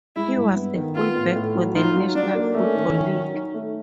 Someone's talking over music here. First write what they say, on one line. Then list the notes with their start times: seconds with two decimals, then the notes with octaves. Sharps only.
He was a fullback for the National Football League.
0.16 G#3 E4
0.36 G2
0.56 B3
0.76 D#3
0.95 B3 F4
1.16 A2
1.36 A2
1.55 F#3
1.75 D#4 F4
1.95 F#3
2.15 F#3 D4
2.35 A#3
2.54 A3 C#4
2.75 D#3
2.95 D#3
3.15 F#3
3.34 D#4
3.54 A3